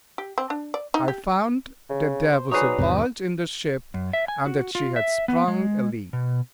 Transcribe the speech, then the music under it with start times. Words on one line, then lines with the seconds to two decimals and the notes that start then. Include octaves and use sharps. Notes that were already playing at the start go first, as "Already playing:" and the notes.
I found that there was a bulge in the ship, and that she had sprung a leak.
0.18 G4
0.38 C4
0.50 D4
0.74 D5
0.94 D#4
1.08 G4
1.90 C#3
2.30 C5
2.51 F#3 D#4 G#4 B4 C#5 D5
2.79 E2 G#2 C3
3.94 F#2
4.13 E5
4.28 G#5
4.46 F#4
4.75 F4
4.96 E5
5.28 B3
5.48 G#3
6.13 B2